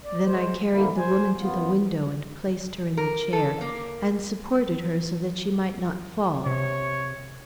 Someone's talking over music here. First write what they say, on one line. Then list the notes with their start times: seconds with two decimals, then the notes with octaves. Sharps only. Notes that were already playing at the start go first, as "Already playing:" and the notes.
Then I carried the woman to the window and placed her in the chair, and supported her so that she might not fall.
0.04 D5
0.25 G#3 C5
0.70 G#2 D3 A#3 E4
0.97 C5 G#5
1.39 F#2 B3 F4
2.97 A#4
3.33 A4
3.61 A#3
6.46 C3 C#5